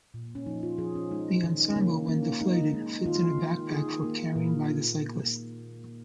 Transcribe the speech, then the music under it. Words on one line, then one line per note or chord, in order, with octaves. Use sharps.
The ensemble, when deflated, fits in a backpack for carrying by the cyclist.
A#2
C#4
F3 D#4
F4
F3 G#4
C#4
G#3 D#4
D#3
C#4
C#3 A#3
A#3
G#3 D#4
G#3
D#3 F4
D#3
D#3 G#4
A#3
A#2 A#4